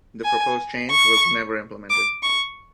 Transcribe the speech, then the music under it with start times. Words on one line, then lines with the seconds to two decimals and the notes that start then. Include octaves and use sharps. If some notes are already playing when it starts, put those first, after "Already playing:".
The proposed change was never implemented.
0.24 G#5
0.91 C#6
1.90 D6
2.23 C#6